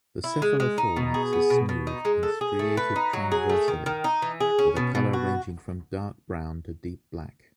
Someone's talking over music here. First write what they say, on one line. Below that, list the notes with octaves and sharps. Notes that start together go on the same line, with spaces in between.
The cephalothorax is smooth and striated transversally, with a color ranging from dark brown to deep black.
E4
G#3
G#3
D#4
B2
G#4
B3
B2
B2
D#4
G#3
A4
G#4
A3
B4
D#4
F#3
G#4
A3
D#3
D#3
D#4
E3
G#4
C#4
B2
B2
F#4